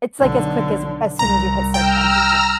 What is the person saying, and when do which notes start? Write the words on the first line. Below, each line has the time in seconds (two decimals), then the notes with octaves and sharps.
It's like as quick as as soon as you hit search on Google.
0.19 B1 D3
1.19 C2 A#5
1.74 G5 A#5 E6 F6